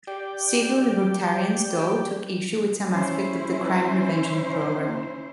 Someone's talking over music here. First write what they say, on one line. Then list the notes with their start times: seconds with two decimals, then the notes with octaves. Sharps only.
Civil libertarians, though, took issue with some aspects of the crime-prevention program.
0.07 G4 D5 G5
2.92 C#4 E4 C5